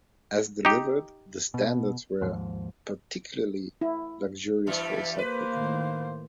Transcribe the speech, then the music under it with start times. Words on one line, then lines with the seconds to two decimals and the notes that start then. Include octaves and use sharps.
As delivered, the Standards were particularly luxurious for a subway car.
0.65 D#4 G4
1.54 B2
2.21 D#2 G#2 F3
3.81 E4
4.67 G2 E3 G3 E5
5.18 A#3 B4 C5
5.51 A2 D#3 F5